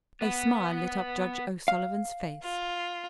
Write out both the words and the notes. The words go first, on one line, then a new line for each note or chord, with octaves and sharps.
A smile lit up Judge O'Sullivan's face.
B3 B4
F5
F4